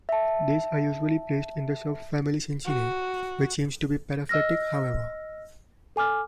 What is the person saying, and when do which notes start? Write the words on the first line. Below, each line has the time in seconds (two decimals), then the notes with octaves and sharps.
These are usually placed in the subfamily Scincinae, which seems to be paraphyletic however.
0.09 E5 A5
2.65 F#4
4.29 D#5 E6 F6 A#6
5.96 A4 G#5 D6 F6